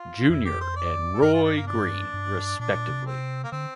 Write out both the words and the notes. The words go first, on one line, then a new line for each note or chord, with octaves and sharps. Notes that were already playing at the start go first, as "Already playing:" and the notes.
Junior and Roy Green respectively.
Already playing: F4
F2 E4
G4
C5
D5
A4
G2 A#4
F4
D4
A#3
D4
G2
A#2 D4
A#2
C3
C4
A#3
D3 C4